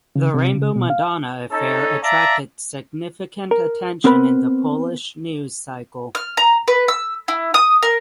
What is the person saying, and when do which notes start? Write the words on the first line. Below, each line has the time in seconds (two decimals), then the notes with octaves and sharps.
The Rainbow Madonna affair attracted significant attention in the Polish news cycle.
0.16 C#3
0.34 C3
0.55 C#3
0.76 B2
0.90 F5
1.52 C#4 D#4 A4
2.03 D5 E5 F5 A5 A#5
3.51 A#4
4.04 B3 C4 A#4 B4 B5
6.15 F6
6.37 A#5
6.68 B4
6.88 E6
7.28 E4
7.54 D#6
7.83 A#4